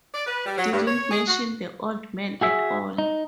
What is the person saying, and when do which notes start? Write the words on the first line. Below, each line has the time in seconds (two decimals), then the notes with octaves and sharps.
Didn't mention the old man at all.
0.14 D5
0.27 B4
0.46 G3
0.58 F#3
0.73 G2
0.87 C#5
1.11 G#4
1.28 F#4
2.41 F#4 G#4 E5
2.98 D#4